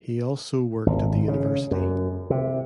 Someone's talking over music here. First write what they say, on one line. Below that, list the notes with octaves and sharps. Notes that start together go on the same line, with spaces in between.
He also worked at the University.
G#1
C#3
F#2
C3